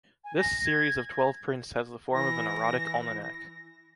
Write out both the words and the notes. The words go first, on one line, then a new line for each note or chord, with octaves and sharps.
This series of twelve prints has the form of an erotic almanac.
G#5
A#6
G#6
E3 A#6